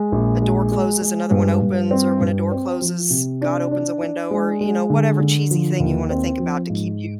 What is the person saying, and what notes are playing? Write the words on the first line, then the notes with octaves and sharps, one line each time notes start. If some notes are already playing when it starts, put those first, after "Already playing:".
a door closes, another one opens or when a door closes, God opens a window or, you know, whatever cheesy thing you wanna think about to keep you
Already playing: G#3
A#1
G#3
G#3
G#3
G2
G2
C4
G2
C4
F3
C3
D4
D4
D4
G#3
G#3
D3
D3
F3
D#2
C4
F3
G#2